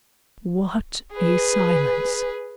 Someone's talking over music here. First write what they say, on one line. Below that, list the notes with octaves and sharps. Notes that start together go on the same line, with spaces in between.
What a silence!
G#4 B4